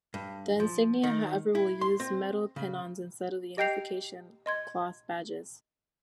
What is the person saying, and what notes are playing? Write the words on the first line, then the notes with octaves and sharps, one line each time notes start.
The insignia, however, will use metal pin-ons instead of the unification cloth badges.
G2
F3
D#3
E4
C6
C4
C#3
G4 D#5 G5 G6 C7 F7
D#5 C6 G#6